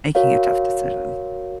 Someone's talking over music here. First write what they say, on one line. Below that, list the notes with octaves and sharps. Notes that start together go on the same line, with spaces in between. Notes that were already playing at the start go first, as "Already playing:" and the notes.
making a tough decision?
F#4 A#4 C#5 F5